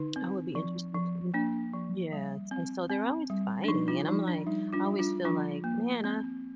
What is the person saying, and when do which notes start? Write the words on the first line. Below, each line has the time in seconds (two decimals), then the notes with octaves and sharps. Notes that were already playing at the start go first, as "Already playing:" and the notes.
I would be interested interested yeah, and so they're always fighting, and I'm like I always feel like, "Man, I"
Already playing: D3 D#4
0.16 C4
0.55 F3
0.94 F3
1.34 A#3 D4
1.73 F3
2.12 G3
2.51 C4
2.90 C4
3.30 G3
3.64 D4
3.68 F3 D#4
3.88 D4 F4
4.07 F3 D#4
4.28 D4
4.47 G3 D#4
4.73 D4 F4
4.86 G3
4.99 D4 F4
5.25 F3 D4 F4
5.64 A#3
6.04 C4